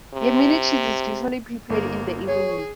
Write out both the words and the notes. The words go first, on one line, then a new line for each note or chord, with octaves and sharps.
Yemeni cheese is usually prepared in the evening.
C3
G1 A#3 A4
G#4 C#5